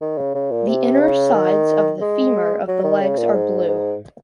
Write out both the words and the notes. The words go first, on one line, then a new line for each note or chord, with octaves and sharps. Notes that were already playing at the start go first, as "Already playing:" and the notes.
The inner sides of the femur of the legs are blue.
D#3
C#3
C#3
A#2
C3
C#3
D#3
G#3
F#3
D#3
C#3
A#2
G#2
G#2